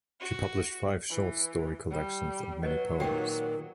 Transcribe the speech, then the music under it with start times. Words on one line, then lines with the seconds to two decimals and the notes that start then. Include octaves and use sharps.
She published five short story collections and many poems.
0.20 F#4
1.11 E3
1.90 G3
2.63 F#3 B4 D#5
3.00 A#2 D#3 G4 G5 C#6